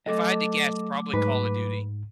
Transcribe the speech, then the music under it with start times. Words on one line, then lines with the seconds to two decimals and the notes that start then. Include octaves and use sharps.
If I had to guess, probably Call of Duty.
0.06 F#3 A3 A4 D#5 D6
1.13 G#2 B4